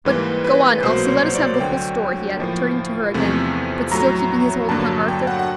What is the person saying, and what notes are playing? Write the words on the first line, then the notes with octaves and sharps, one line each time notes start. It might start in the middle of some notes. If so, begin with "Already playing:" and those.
"But go on, Elsie, let us have the whole story," he added, turning to her again, but still keeping his hold upon Arthur.
G#2 E3 G3 A#3 B4
B4
C2 B2 F#3 A#3 C5
C#5
D5
D2 D3 F#3 G5
A2 F3 A#3
E2 C3 F3 A3
A2 F#3 A3 A#5
G2 D3 F#3 A#3 A5
G5
F#5
F#5